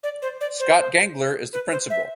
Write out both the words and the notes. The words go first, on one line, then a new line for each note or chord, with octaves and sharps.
Scott Gengler is the Prinicpal.
D5
C5
D5
C5
B4
C5
E5